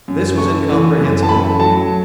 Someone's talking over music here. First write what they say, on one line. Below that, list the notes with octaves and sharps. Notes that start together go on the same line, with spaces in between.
This was incomprehensible.
F#2
A3 C#6
E3
F#2
A5
A3 B5
F#3 A5